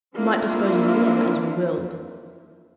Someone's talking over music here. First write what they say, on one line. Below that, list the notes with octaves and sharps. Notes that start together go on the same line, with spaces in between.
We might dispose of them as we willed.
A#3 C4 D4 E4 F4